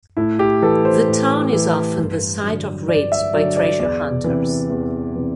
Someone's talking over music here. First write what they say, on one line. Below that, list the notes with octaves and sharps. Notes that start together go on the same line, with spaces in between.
The town is often the site of raids by treasure hunters.
A2 E4
G4
E3 A4
C5
A2
E3
G2
D3 F#3
G2 D5
E5
D3 F#3 D5
D5
E2 D5
C3 E3
E2
C3 E3